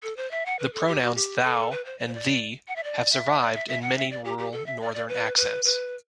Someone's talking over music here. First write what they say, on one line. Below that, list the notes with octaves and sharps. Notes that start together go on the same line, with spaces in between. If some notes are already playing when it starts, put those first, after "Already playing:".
The pronouns "thou" and "thee" have survived in many rural Northern accents.
A4
C5
E5
F#5
B4
A4
G4
F#4
G4
A4
B4
C5
D5
C5
D5
F#5
E5
D5
E5
D5
E5
E5
F#5
E5
D5
G4
G4
A4
E5
D5
D5
B4
B4
B4